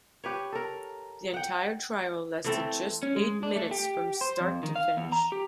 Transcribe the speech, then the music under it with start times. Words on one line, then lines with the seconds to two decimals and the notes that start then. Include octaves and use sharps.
The entire trial lasted just eight minutes from start to finish.
0.24 G4 B4 C#5
0.52 A4 A#4
1.34 F#5 G5
2.44 E3 A3 C4 A4
3.03 C#4
3.16 G#3
3.43 D4
3.56 A3
3.71 G4
4.21 C5
4.41 F2
4.63 D#3
4.76 F5
4.97 E2
5.12 A#5
5.32 G4